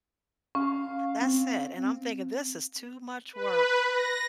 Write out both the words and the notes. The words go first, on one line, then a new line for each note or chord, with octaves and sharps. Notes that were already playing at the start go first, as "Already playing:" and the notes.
That's it, and I'm thinking this is too much work
C#4 F5
C4
B4
A#6